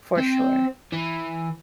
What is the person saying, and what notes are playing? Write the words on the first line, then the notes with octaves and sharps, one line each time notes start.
For sure.
C4
E3